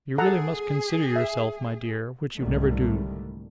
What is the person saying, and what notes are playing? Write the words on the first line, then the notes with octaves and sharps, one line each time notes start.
'You really must consider yourself, my dear, which you never do.
G#4 A4 F#5 A#5
E5
C2 G#2 D3 D#3 G3 A3